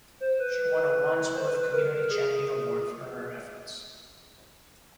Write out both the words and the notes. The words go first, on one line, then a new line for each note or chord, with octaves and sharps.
She won a Wandsworth Community Champion award for her efforts.
C5
B4
C5
B4
B4
A#4
A#4
G#4